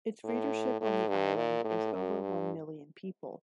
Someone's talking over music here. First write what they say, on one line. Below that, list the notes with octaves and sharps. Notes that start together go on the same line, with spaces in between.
Its readership on the island is over one million people.
A2
A2
G2
A#2
A2
F#2
G2